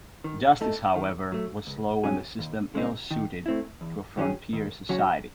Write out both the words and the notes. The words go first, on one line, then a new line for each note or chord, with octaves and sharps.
Justice, however, was slow and the system ill-suited to a frontier society.
D#3
A3 D#4 A4
D#3
F#3 A3
C#2
C3 F#3 C#4 G#4
D#2
C#3 G#3 C4 D#4
D#3
A3 C4 E4
E2
D#3 F#3 C#4 G#4
D#2
C#3 F#3 C#4 F#4